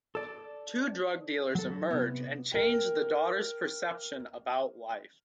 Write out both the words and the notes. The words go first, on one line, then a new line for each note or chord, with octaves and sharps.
Two drug dealers emerge and change the daughter’s perception about life.
A4 D5
F#3 A4
C3 B3
A#4 G5